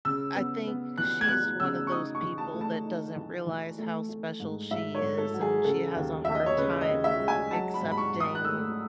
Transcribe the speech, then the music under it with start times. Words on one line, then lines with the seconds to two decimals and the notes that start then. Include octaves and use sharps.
I think she's one of those people that doesn't realize how special she is, and she has a hard time accepting
0.05 C#3 E6
0.35 B3
0.67 B3
0.98 E3 F#6
1.21 G#6
1.28 B3 F#6
1.60 C#3 E6
1.87 C#6
1.91 D#4 D#6
2.15 C#6
2.22 E3
2.38 A5
2.54 A3
2.61 A5
2.84 D#4
3.16 E3
3.47 E3
3.78 A3
4.09 A3
4.40 G#2
4.71 G#2 E5
4.95 C#5
5.02 G#2
5.18 A4
5.34 F#3
5.41 G#4
5.64 C#3 A4
5.95 D#2
6.25 D#2 E5
6.35 D#5
6.46 C#5
6.57 C#3 B4
6.81 D#5
6.88 C#3
7.04 E5
7.20 G#3
7.28 G#5
7.51 F#3 A5
7.74 B5
7.82 G#2
7.92 B5
7.98 C#6
8.13 G#2
8.20 D#6
8.35 F#6
8.45 A3 E6